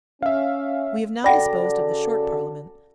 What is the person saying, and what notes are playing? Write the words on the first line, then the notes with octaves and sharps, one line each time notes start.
We have now disposed of the Short Parliament.
C#4 E5 F5
C#3 F#4 A4 D5 F#5 G5 B5 A#6